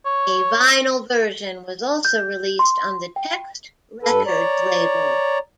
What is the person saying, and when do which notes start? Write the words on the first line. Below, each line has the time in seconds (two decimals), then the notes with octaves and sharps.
A vinyl version was also released on the Text Records label.
0.06 C#5
2.05 G6
2.59 C6
3.16 G5
4.03 G2 A4 B4
4.26 C#5 D5 A#5